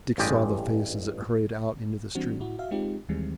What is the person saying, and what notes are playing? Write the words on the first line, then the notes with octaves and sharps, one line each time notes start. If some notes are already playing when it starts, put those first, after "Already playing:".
Dick saw the face as it hurried out into the street.
A1 G2 G#3 G4 D5 D#5
E3 G3 C4 D4 F#4
A2 E4 F#4
F#4 E5 F5
G#3 C4 D#4 F4 G4
D#2 D#3 E3 G3 G#3 C4